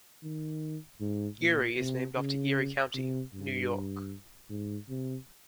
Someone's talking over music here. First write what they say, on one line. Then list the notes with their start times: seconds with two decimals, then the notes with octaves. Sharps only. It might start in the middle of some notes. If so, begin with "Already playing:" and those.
Erie is named after Erie County, New York.
0.23 D#3
1.01 G#2
1.40 A#2
1.78 C3
2.17 C#3
2.95 C3
3.34 G2
4.50 G#2
4.89 C3